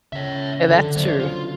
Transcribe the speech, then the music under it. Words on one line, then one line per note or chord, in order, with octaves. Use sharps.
and that's true.
C#3 C#5 E5
D3 F3 A4
D3 F#3 B3 C5 D5
F4